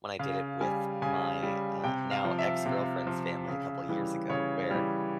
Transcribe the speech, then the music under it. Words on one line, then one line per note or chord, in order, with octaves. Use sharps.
when I did it with my, uh, now ex-girlfriend's family a couple of years ago where,
C#3 F5
G3 G#5
C#3 G#5
G3
C3 G5
F5
F3
E5
C3
F3
C#3
E3 G3
C#3 C#5
E3 G3